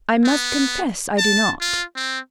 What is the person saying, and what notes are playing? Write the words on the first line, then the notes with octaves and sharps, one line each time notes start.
"I must confess I do not."
B3
A5
F4
C4